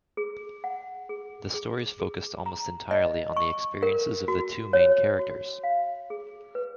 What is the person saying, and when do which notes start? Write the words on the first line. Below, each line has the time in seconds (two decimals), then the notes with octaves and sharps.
The stories focused almost entirely on the experiences of the two main characters.
0.17 G#4
0.64 F#5
1.09 G#4
1.54 G#4
2.00 G#4
2.46 A#5
2.91 D#5
3.37 C#6
3.83 A#4
4.28 F#4
4.73 C#5
5.19 F#4
5.64 F5
6.10 G#4
6.55 B4